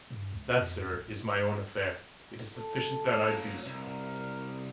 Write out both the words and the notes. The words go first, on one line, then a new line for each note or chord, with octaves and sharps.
"That, sir, is my own affair; it is sufficient that I do so."
G2
C#2
F2
A#1
A4
F#3 A#3
C2 A#4